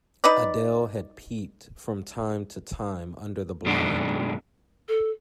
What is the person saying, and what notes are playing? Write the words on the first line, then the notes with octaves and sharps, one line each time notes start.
Adele had peeped from time to time under the blind.
D#4 B4 D5
F#2 B2 D#3 G#3 B3 D4
A4